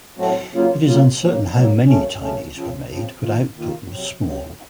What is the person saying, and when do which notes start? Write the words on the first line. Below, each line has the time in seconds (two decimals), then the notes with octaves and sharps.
It is uncertain how many Tinys were made but output was small.
0.17 A2 F#3 A3 C4 F#4
0.51 C#3 F#3 A#3 F4
0.85 C#3 F#3 A#3 F4
1.19 A2 F#3 A#3
1.53 A2 F#3 A#3
1.86 F#2 C#3 A3 C#4
2.20 F#2 C#3 A3 C#4
2.54 C#3 F3 C4
2.88 C#3 F3 C4
3.21 D#3 A#3 F4
3.55 D#3 A#3 F4
3.89 C3 F#3 C4
4.23 C3 F#3 C4